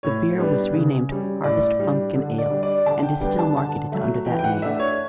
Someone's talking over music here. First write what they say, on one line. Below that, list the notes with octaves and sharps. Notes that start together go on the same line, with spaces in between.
The beer was renamed "Harvest Pumpkin Ale" and is still marketed under that name.
A2 C#5
G3 B3 D4
C#3
G3 C#4
A2 D5
G3 D4
D3
D5
G3 D4
D5
D3 A5
G5
G3 B3 D4 G5
A5
D3 A5
F#3 A3
E3 G5
G5
F#5
A3 D4 E5
C#5